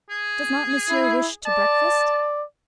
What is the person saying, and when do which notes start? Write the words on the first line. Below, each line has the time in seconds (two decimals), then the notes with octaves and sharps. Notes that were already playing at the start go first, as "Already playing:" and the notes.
"Does not Monsieur wish to breakfast?"
0.10 G#4
0.90 E4
1.46 D5 A5